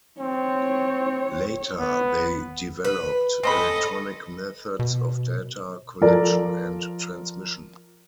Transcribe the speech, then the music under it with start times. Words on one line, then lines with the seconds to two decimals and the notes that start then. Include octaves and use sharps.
Later they developed electronic methods of data collection and transmission.
0.20 C4 C#5
1.79 B3
2.85 B4
3.43 C4 C#4 A4 D#5 B5
4.79 B2
6.01 F3 A4 A#4 D5